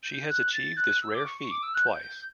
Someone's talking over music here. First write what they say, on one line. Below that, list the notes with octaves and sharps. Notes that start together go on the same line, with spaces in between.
She has achieved this rare feat twice.
G6
F#6
A6
F#6
E6
D6
C#6
C#6
D6
E6
F#6
G6
G6